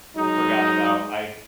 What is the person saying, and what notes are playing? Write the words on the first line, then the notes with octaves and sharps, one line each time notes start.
forgot about I
F#3 G#3 D#4